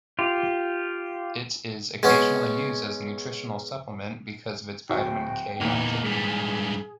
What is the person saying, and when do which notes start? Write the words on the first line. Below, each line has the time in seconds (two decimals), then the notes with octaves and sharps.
It is occasionally used as a nutritional supplement because of its vitamin K activity.
0.19 F4 G4
2.03 G#3 B3 C#4
4.90 D1 F#4 G5
5.61 E2 A#2 E3 D#4
6.04 G#2 G3 G#4